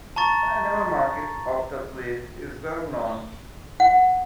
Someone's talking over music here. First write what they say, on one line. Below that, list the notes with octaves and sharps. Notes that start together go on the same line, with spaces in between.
The animal market of the place is well known.
A5 A#5 C#6 A6
F#5